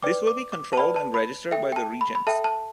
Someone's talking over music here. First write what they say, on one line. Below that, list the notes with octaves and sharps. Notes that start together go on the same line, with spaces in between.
This will be controlled and registered by the regents.
B4 D5 G5 D6
D6
D6
A5
B4 D5 G5 B5
A5
B5
A4 E5 G5
G5
A5
B5
B5
A4 E5 G5 A5
A5